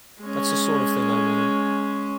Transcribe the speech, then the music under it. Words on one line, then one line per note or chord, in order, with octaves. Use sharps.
That's the sort of thing I wanted.
G#3 C#4